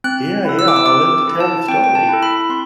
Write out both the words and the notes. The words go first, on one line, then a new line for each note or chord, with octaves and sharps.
Yeah, yeah. I lived to tell the story
C4 F#6
E4 A4
E6
D6
E6
C4 D6
E4 A4
A5
C4 G5
G5
A5
E4 A4
B5
C4 C6